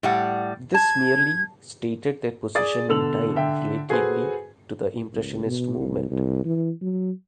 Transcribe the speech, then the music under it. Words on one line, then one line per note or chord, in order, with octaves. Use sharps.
This merely stated their position in time relatively to the Impressionist movement.
A2 G3 F#5
A5 G#6
G#4 D5 D#6 A6
B2 D3 A4 E6 F7 F#7
D3 E5 G5
F#4 G#4 A4 B4 C5 G#5
C#2
B2
C2
C2
E3
F#3